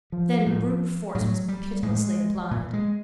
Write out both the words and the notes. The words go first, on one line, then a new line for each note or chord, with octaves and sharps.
Then brute force was pitilessly applied.
F3
A2
A2 F#3
G3
A2 G#3
A#2
G#3